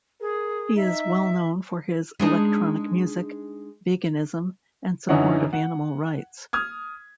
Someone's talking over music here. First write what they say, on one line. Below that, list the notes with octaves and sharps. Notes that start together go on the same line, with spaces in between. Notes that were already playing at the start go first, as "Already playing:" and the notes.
He is well known for his electronic music, veganism, and support of animal rights.
G#4 A#4
D#4 E5
G#3 D4 D#4
F#2 D3 E3 D#4 C#5 F#5
F#5
D#6 F6 G#6